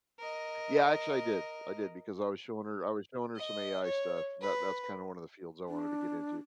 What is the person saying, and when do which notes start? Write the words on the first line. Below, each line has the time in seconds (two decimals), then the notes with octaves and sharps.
Yeah, actually I did, I did, because I was showing her I was showing her some AI stuff, and that that's kinda one of the fields I wanted to get into.
0.19 A#4 D#5
3.36 D#5
3.84 C#5
4.41 B4
5.68 D4